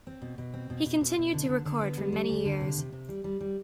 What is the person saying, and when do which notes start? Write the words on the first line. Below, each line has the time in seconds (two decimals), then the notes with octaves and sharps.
He continued to record for many years.
0.07 C4
0.22 B2
0.38 B2
0.54 C4
0.70 B2
0.86 B2
1.01 B2
1.18 B2
1.33 D3
1.49 D3
1.65 D3
1.81 B3
1.97 G3
2.12 G3
2.29 D2
2.45 D3
2.61 C3
2.77 C3
2.92 C3
3.09 G3
3.24 G3
3.41 G3